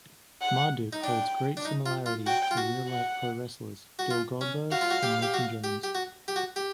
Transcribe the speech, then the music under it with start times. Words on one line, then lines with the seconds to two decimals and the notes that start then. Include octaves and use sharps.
Marduk holds great similarity to real-life pro wrestlers, Bill Goldberg and Nathan Jones.
0.42 F#5
0.93 D#4
1.03 D4 G5
1.57 D4
1.65 D#4
1.86 F4
2.06 F4
2.27 F#4 G5
2.51 F4
2.57 F#4
2.88 F#5
3.99 F#4
4.11 F4
4.41 C#4
4.71 F#4 F5
4.81 F4
4.90 F#4
5.03 G4
5.22 G4
5.34 F#4
5.64 G4
5.83 G4
5.95 F#4
6.28 G4
6.36 F#4
6.56 G4